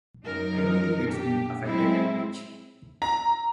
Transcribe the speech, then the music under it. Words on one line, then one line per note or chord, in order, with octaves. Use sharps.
I don’t think it’s been affected that much.
F#2 D#4 A#4
D4 G4
F#3 G#3 C4 E4
A#5